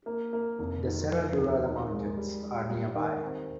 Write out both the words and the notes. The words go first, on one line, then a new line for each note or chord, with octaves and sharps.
The Serra Dourada Mountains are nearby.
A#3
A#3
F1
D#3
F3
D#2
D#4
G#3
G3
G3
G3
D#3
C4